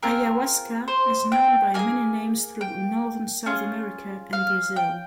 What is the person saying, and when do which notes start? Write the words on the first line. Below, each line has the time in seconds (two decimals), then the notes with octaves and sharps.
Ayahuasca is known by many names throughout Northern South America and Brazil.
0.02 C4 F4 G#4 A#4
0.88 C5
1.32 G5
1.74 A#3 D#4 G#5
1.79 G#4
2.61 G5
3.46 C#4 F4 G#4
4.33 F5
4.76 G5